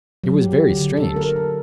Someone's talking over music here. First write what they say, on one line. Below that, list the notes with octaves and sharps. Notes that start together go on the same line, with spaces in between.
It was very strange!
F#3
G4
G4
D3
A4
A#4
A#4